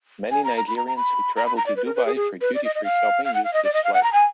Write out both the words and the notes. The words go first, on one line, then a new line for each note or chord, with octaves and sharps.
Many Nigerians who travelled to Dubai for duty-free shopping used this flight.
G#5
A#5
A#5
B5
A#5
A#5
B5
A#5
B5
A#5
D5
B4
A#4
B4
G#4
G#4
B4
D5
D#5
D#5
F5
F5
F#5
F5
D#5
D5
D#5
F5
F#5
A#5
G#5